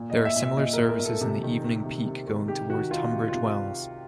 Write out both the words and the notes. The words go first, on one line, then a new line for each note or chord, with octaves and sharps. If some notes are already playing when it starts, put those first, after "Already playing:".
There are similar services in the evening peak going towards Tunbridge Wells.
Already playing: A#2
D#5
A#2
E5
A#2
E5
A#2 D#5
A#4
A#2
A#4
A#2
A4
C3
D#3
D#3
C3
C3
D#3
C3 G4
D#3 F#4
D#3 F4
C3
F4
C3